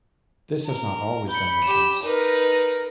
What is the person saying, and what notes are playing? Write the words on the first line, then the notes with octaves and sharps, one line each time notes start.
This has not always been the case.
A#4
B5 G6 C#7
G4 E7
D#4 A#4 B4